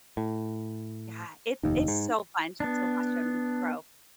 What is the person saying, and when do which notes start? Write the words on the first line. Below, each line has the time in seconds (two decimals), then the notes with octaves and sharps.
Yeah, it's it's so fun just to watch them grow.
0.17 A2
1.63 F1 D#2 D#4
1.88 G#2
2.60 B3 D4